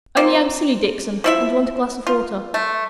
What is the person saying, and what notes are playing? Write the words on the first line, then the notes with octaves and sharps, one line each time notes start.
Only I'm silly, Dixon, and want a glass of water.
F3 A#3 C4
F3 E4 E5
F4
A3